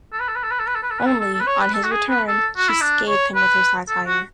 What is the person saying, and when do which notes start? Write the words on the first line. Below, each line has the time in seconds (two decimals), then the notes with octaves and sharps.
Only, on his return, she scathed him with her satire.
0.13 A4
0.20 B4
0.28 A4
0.36 B4
0.44 A4
0.51 B4
0.59 A4
0.67 B4
0.75 A4
0.83 B4
0.91 A4
0.99 B4
1.06 A4
1.20 A4
1.34 A4
1.40 B4
1.47 C#5
1.60 B4
1.74 A4
1.84 F#4
1.92 G#4
2.10 B4
2.28 A4
2.57 F#4
2.69 E4
2.81 D4
3.08 C#5
3.35 B4
3.89 A4
4.07 F#4